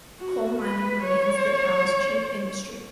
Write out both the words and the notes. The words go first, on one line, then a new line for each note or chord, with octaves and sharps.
Coal mining remains the town's chief industry.
F#4
B4
C#5